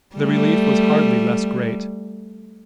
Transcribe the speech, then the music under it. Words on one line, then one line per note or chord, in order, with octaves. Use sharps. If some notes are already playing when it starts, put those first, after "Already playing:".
The relief was hardly less great.
G3 A3